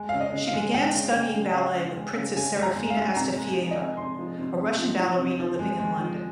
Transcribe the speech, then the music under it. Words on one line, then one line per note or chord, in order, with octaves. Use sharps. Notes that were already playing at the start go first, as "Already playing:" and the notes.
She began studying ballet with Princess Serafina Astafieva, a Russian ballerina living in London.
Already playing: G#3
F5
C#3
D#5
C#3
F5
G#3
G#3 G5
C#3
C#3
C#3
C#3 F5
C#3
G#3
C#3
C#3 G#5
G#3
A#5
G#3
F5
G#3
C3 A#5
G#3
G#5
F3
D#5
C3
C3 C6
F3
C3
C3
F3
F3
C3
F3
G#3
G#3
F3